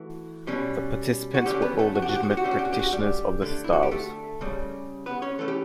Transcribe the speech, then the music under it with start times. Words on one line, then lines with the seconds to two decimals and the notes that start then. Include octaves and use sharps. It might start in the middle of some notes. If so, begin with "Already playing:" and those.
The participants were all legitimate practitioners of their styles.
Already playing: E3 A3 F#4
0.47 B2 G3 C#4
1.34 F#4
1.46 D3 F#3 G3 C#4 G4
1.62 B3 B4
1.79 A3 A4
1.95 F#4
2.02 G4
2.09 F#4
2.16 G4
2.23 F#4
2.30 G4
2.37 F#4
2.44 D3 A3 C#4 G4
2.51 F#4
2.59 G4
2.65 F#4
2.73 G4
2.79 F#4
2.92 G3 G4
3.42 D3 A3 D4
3.64 E4
3.73 F#4
3.83 G4
3.91 A3 A4
4.41 C#3 G3 C#4
5.06 B3 B4
5.22 C#4 C#5
5.39 E3 A3 C#4 A4
5.48 G4